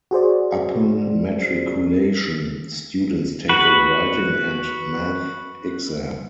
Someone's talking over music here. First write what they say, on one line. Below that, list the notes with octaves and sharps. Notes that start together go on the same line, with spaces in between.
Upon matriculation, students take a writing and math exam.
F#4 G#4 C5 D5
F#4 B4